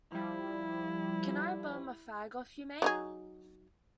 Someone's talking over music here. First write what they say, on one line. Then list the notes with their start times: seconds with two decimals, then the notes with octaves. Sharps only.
Can I bum a fag off you, mate?
0.12 F3 G3 E4
2.82 F#3 D#4 G#4